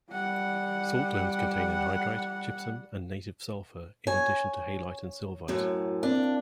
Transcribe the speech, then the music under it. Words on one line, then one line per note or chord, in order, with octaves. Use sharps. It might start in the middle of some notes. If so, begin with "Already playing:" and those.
Salt domes contain anhydrite, gypsum, and native sulfur, in addition to halite and sylvite.
G3 F#5
C#5 G#5
F#2 A2
A#3 C4 D4